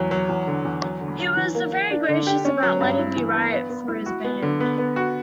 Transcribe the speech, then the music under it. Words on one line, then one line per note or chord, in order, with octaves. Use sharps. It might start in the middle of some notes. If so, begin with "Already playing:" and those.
He was very gracious about letting me write for his band.
Already playing: E2 F#3
F#3
E2
D3
E2
F#3
D3
F#3
E3
A#3
A#3
D4
D3
G4
C#4
F#3
G2
E4
E3
B3
B3
B3
E4
F#4
B3
D3
B3
B3
F#4